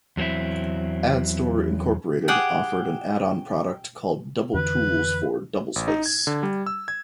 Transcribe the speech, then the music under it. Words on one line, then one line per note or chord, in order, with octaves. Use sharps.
AddStor, Incorporated offered an add-on product called Double Tools for DoubleSpace.
E2 F#3 A#3 C4 E4
G4 G#4 F#5 G5
F2 D3 E3 B4
A1
D#4
G#6
D3
G3
E6
G#6